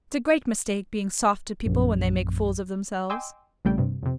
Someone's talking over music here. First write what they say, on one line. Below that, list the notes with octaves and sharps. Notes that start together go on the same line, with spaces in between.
It's a great mistake being soft to people when they make fools of themselves.
A#1 F#2
D#5 G5 G#5 C6 D6 E6
A#1 C#3 G3 A3 G4 G5
G2 C3
F2 C3